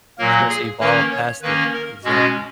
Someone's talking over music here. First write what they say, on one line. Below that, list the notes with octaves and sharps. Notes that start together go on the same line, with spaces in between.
supposed to evolve past it. Exactly.
A#2 F#3 A#3 A#4
G#4
D#3 A#3 C#4 B4
C#5
D#3 A#3 C#4 B4
A#4
B2 G#3 C#4 F#4